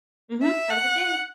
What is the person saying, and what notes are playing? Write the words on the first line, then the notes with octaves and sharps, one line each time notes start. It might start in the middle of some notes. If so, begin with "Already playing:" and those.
Mhm. Have a good day.
E5
F#5